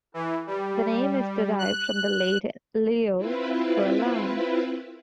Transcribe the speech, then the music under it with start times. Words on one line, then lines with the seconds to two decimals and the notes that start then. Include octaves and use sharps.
The name is derived from the Latin "leo" for "lion".
0.14 E3
0.47 G3
1.58 F#6
3.17 C4 E4 F4 B4